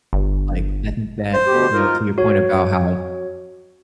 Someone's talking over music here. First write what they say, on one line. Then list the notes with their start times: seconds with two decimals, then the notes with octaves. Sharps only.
Like, I think that, you know, to your point about how
0.13 G1
1.33 C5
1.46 D2 B2 G4
1.73 D#4 F4 A#4
2.18 F#4 C#5